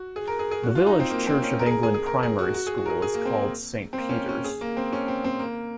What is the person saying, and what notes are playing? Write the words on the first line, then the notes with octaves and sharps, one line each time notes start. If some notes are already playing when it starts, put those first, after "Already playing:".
The village Church of England primary school is called St.Peters.
Already playing: F#4
G#4
A#4
G#4
G#4
F#4
F4
D#4
C4
A#3
C4
C#4
A#4
G#4
A#4
G#4
G#4
A#4
G#4
F#4
F#4
G#4
F#4
A#4
G#4
G#4
A#3
C4
C4
A#3
C#4
C4
C#4
G#4
A#3
C4
C#4
C4
C4
A#3